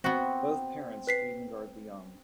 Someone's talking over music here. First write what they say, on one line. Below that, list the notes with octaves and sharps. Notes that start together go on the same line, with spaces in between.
Both parents feed and guard the young.
B3 C4 F#4
B4 B6 C7